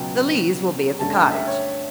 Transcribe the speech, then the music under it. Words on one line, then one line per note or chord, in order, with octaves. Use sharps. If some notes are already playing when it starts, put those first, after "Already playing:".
The Lees will be at the cottage.
Already playing: C#2 B2 F#3 G5
G2 D3 A3 C#4 A5
G5
E5
C#5